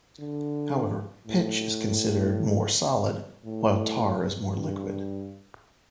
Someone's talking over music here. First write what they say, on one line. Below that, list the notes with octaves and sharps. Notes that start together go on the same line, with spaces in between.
However, pitch is considered more solid, while tar is more liquid.
D3
A2
A2
G2